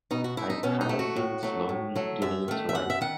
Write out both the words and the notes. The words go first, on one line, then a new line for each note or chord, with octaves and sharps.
I kind of been slowly getting into, like
B2 D#4
F#4
A3 E4
D#4
B2 C#4
D#4
A3
F#4
A2
F#3 A3
A2
F#3 A3
F#2 E5
D#3 A3
E5
F#2 F#5
E5
D#3 F#5